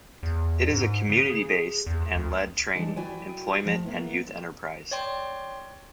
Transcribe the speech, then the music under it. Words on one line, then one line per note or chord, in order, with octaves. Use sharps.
It is a community-based and led training, employment and youth enterprise.
E2
G#2
C#3
G#4
E2
D2
E3 G3 G#3 D4
F#3 E4 F#4 D5 G5 G#5
F3 A3
A#3 B3 E4
C#5 D5 G5 C6